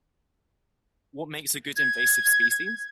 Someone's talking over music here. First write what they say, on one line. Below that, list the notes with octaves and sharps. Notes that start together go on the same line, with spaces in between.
What makes a good invasive species?
G#6